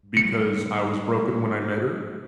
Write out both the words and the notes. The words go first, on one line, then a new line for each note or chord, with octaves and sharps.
because I was broken when I met her,
G3 A3 B3 C#7